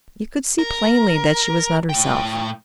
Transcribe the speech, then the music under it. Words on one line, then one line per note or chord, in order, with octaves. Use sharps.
He could see plainly that she was not herself.
A#4
A2 G5